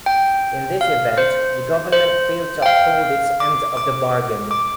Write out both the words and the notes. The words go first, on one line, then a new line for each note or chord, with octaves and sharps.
In this event, the government failed to uphold its end of the bargain.
G5
F5
C5
C5
G5
F5
D6
D6
D6